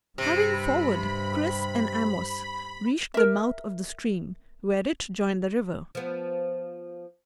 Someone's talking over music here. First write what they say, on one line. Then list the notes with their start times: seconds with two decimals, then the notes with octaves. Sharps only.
Hurrying forward, Chris and Amos reached the mouth of the stream where it joined the river.
0.18 G2 C3 B5
3.14 A#4 E5
5.95 F3 B3